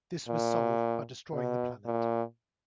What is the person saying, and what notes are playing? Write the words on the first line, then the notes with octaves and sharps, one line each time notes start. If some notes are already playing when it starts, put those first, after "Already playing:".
This was solved by destroying the planet.
A#2
B2
A#2